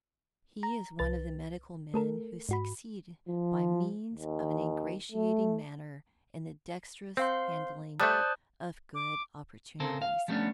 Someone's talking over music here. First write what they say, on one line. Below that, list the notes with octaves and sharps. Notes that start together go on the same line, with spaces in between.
He is one of the medical men who succeed by means of an ingratiating manner and the dexterous handling of good opportunities.
A#5
C2 B4 A6
A3 A4 A#4
G#2 F#4 B5
F3
D#2
A3
C4 C5 F5 C6
G3 A3 C5 D5 A5 D#6 F#6 G6
D6
C#3 C4 A4 A#4 C5
F5
F3 G3 A3 B3 C#4 D4